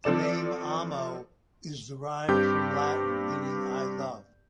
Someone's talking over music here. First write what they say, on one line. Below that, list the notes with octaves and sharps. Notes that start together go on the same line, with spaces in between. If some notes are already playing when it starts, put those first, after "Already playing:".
The name Amo is derived from Latin, meaning "I love".
F3 C4 A4 D5 E7
G2 C4 G4 G6